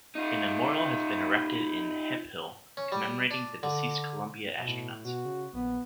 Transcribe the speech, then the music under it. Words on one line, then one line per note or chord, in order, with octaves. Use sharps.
A memorial has been erected in Hemphill commemorating the deceased "Columbia" astronauts.
D#4 F4
C#4
G3
D4
D3
B2
A2
B2 F#4
C#3
A#1 B3